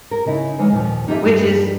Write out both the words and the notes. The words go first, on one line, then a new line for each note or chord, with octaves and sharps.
Which is
A#4
C#3 D#4 E4
D3 E3 G#3 A#3 D#4 C#5
D#2 A#2 D#3 F3
A#3 D#4 F4 G4 A4 E5
E2 G2 D4 D#4